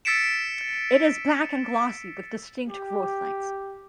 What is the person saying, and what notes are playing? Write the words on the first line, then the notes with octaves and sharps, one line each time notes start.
It is black and glossy with distinct growth lines.
E6 A6 B6 C#7 D7 E7
G4